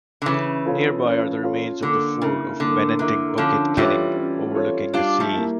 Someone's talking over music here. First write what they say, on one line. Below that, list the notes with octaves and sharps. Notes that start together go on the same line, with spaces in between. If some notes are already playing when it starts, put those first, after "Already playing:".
Nearby are the remains of the fort of Benteng Bukit Cening, overlooking the sea.
D3
C#3 E3 C#4
F4 A4 C#5 F5
C#4
F4 A4 C#5 F5
D3 A#3
C#3 E4 A#4
D3 A#3
D3 E4 A#4
D3 F3 C#4
E3 G3 F4 A4 C#5
C#4
F4 A4 C#5
G3 D4 F4
F3 A3
A#3 E4